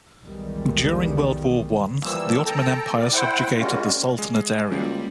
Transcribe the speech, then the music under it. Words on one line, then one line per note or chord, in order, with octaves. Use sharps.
During World War One, the Ottoman Empire subjugated the Sultanate area.
B1 E2 D#3 G3 G#3
E3 F3 G3 A#3 E6
A4 G5 A5 A#5
D5
E4 C5 F#5 G5
G3 G#3 A#3 C#4 F4 F#4
G#3
C#2 G3 A#3 F#4